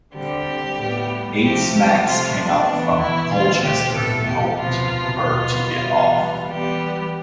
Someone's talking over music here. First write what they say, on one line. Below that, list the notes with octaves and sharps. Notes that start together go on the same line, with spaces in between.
Eight smacks came out from Colchester and helped her to get off.
D3 G3 C4 G4
A2 G3 B3
C3 F3 A3 C4 G4
G4
C3 F3 A3 F4
D4
E3 B3
E4
D3 A3 C4 F4
G4
A2 E3 B3 A4
G4
C3 F3 B3 F4
B2 B3 F4
E3 G3 B3
E3 G3 B3 G4